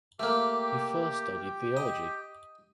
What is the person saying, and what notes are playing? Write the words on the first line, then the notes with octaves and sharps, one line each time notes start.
He first studied theology.
A3 A#3 G4 G5
D#5